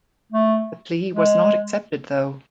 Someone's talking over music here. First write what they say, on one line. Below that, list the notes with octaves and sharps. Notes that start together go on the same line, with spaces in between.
The plea was not accepted though.
A3
G#3